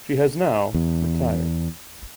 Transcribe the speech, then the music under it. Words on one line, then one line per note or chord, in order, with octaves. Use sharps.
She has now retired.
E2